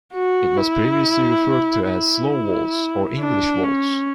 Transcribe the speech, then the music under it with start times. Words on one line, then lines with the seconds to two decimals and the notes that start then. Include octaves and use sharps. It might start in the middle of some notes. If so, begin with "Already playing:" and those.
It was previously referred to as Slow Waltz or English Waltz.
0.13 F#4
0.57 E4
1.89 E4
3.19 D4
3.64 C#4